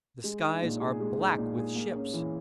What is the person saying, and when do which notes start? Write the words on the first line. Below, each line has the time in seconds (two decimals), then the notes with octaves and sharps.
The skies are black with ships.
0.24 G#3
0.43 D#4
0.62 A#2
0.81 G#4
1.00 G#3
1.19 D#4
1.38 A#2
1.57 G#4
1.75 A#3
1.95 C#4
2.14 E3